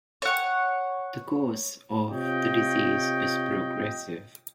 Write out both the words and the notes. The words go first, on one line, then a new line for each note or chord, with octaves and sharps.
The course of the disease is progressive.
C#5 F#5
C3 F4 C#5 D#5 G5